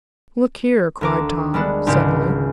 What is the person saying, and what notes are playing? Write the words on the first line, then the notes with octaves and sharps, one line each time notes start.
"Look here!" cried Tom, suddenly.
D2 A#4 D6
G3 G#3 B3 D4
G#1 C#2 G4